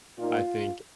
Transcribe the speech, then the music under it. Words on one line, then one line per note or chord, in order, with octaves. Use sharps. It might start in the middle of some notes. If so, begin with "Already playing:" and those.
I think,
A#2 A#3 D#4 F4